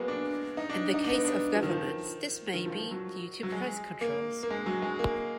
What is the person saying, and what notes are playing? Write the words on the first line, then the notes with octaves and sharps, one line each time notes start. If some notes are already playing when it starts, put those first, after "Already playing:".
In the case of governments, this may be due to price controls.
Already playing: F#3 G#3 A#3 B3
D4
D#4
D4
D#4
D4
B3
D4
F3
D#3
F3
D#3
F3
F3
F#3
F#3
G#3
A#3
A#3
G#3
F#3
G#3
A#3